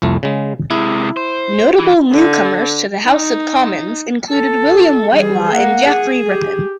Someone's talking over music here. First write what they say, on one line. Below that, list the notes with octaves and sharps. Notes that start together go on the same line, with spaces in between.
Notable newcomers to the House of Commons included William Whitelaw and Geoffrey Rippon.
C2 F2 A3
C#3 G#3
C3 G#3 E4
C5
E3
D3
D#4
A4
E3 G3 G#4
A#3 F#5
G#4
G4